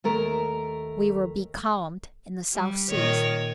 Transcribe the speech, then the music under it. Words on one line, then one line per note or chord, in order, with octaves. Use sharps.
We were becalmed in the South Seas.
D#2 A3 A#4
G3
A#2 D#3 C#5